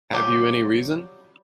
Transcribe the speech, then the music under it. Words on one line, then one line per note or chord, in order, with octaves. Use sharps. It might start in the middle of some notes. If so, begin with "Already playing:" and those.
Have you any reason?
F#3 G3 F4 G4 G#5